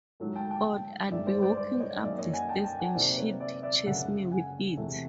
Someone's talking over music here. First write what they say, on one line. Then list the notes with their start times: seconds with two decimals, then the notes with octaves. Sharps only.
Or I'd be walking up the stairs and she'd chase me with it.
0.20 G#2 D#3 F#3 A3
0.36 G5 A5
0.51 G5 A5
1.11 G2 D#3 G#3 D5 E5
1.27 C5 D5
1.42 C5 D5
1.57 C5 D5
1.80 C#5 D#5
1.97 D#5
2.03 F#2 D#3 F#3 A#3 D5 E5
2.18 C#5 D#5
2.33 F#5 G#5
2.49 G5 A5
2.64 G5 A5
2.79 F#5 G#5
2.94 C3 D#3 F#3 A#3 C5 D5
3.17 B4 C#5
3.40 D5 E5
3.63 D5 E5
3.86 F#2 C#3 F#3 A3 E5 F#5
4.31 F#5 G#5
4.77 E2 C3 E3 A3